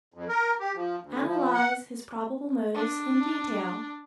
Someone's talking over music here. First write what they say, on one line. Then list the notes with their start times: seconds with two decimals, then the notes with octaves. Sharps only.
Analyze his probable motives in detail.
0.14 F2
0.29 A#4
0.60 G4
0.75 F3
1.03 D2
1.25 F3
1.54 F#5
2.74 D4